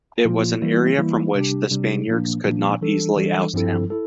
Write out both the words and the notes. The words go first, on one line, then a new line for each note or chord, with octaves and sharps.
It was an area from which the Spaniards could not easily oust him.
A#2 F3 A#3 F4
E3 G3 A#3 E4
E3 G3 A#3 E4
C3 G3 D4 G4
C3 G3 D4 G4
A#2 F3 A#3 D4
A#2 F3 A#3 D4
E3 G3 D4 A4
E3 G3 D4 A4
G2 F3 C4 E4 A4
E4 A4